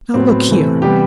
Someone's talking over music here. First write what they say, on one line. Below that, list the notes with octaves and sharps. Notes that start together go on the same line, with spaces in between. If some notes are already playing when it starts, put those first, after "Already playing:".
Now, look here!
A2 F#3 B3 C4
C3 E3 A3
C3 E3 G3 B3 G4